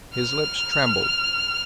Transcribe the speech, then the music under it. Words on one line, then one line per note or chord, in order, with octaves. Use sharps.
His lips trembled.
F6